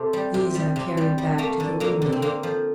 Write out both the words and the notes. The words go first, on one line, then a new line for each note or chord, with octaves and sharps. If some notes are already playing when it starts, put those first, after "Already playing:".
These I carried back to the window.
Already playing: C3 A3
G3
C3
G3
C3
G3
G3
A3 A#3
D3
D3 A#3
D3
C4
D3 A#3
F3